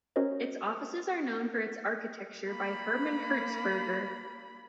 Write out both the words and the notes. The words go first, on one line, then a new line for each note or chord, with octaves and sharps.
Its offices are known for its architecture by Herman Hertzberger.
C#4 F#4 A#4 C5 C#5 D#5
A#3 B5